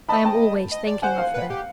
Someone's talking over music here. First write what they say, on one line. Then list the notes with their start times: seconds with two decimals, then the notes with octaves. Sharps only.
I am always thinking of her.
0.09 D#5 A5 B5
0.25 G5 A5
0.71 D#5
0.87 D5
1.02 C5 F#5 G#5
1.18 F5
1.34 B4
1.50 G4